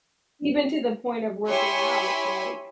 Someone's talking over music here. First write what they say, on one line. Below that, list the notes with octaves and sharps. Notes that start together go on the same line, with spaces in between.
Even to the point of working out, like
E4 G4 C#5 G#5 B5 C6